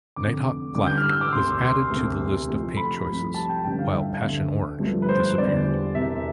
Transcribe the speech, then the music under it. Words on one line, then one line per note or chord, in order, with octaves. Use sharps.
"Nighthawk Black" was added to the list of paint choices, while "Passion Orange" disappeared.
F1 F2 D3 D6
A1 G2 D3 G3 D6
G6
F6
E6
D6
E1 D2 C3 C6
C6
E1 D2 C3
F2 C3 F3 A3
B5
C2 C3 F3 A3
A5
G5
A1 G2 D3 A3 G5
F5
E5
D2 D3 A3
G1 G2 F3 A3
B4
C5
E2 D3 G3 D5
E1 E2 C3 E5